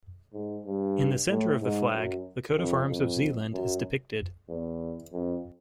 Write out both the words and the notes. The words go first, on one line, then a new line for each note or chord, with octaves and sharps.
In the centre of the flag, the coat of arms of Zeeland is depicted.
G#2
G2
A2
G#2
F#2
F2
F2
F#2
E2
F2